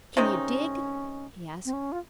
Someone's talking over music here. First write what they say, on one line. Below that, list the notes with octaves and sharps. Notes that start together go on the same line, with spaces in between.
"Can you dig?" he asked.
C3 D#3 G#3 C#4 D#4
C4
C#4
F4